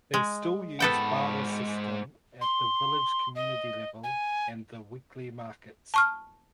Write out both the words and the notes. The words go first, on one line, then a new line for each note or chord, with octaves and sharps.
They still use barter system at the village community level and the weekly markets.
G#3
G#2 B3 A4 G5 B5
C6
D#5
G#5
A5 C#6 F6